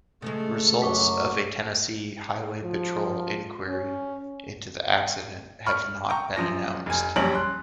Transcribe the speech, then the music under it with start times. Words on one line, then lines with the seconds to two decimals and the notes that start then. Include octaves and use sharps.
Results of a Tennessee Highway Patrol inquiry into the accident have not been announced.
0.22 C#3 F3 G#3 A3
0.82 F#2 F#3 C#6 D6 B6
2.63 F3
3.68 C#4
5.66 B5 C#6 F6
6.09 G5 A#5 C#6
6.36 F#2 F3 A#6
6.86 F1 G#5
7.16 A#1 F#2 G3 C#5 F#7
7.34 C6 F#6